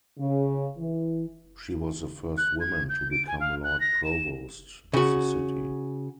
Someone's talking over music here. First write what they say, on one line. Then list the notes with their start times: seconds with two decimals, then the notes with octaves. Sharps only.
She was the first woman to become Lord Provost of the city.
0.18 C#3
0.78 E3
2.37 F#6
2.60 G#6
2.89 G6
3.11 D7
3.27 G#5
3.40 F5
3.64 F#6
3.80 A#6
4.04 E7
4.93 C#3 F#4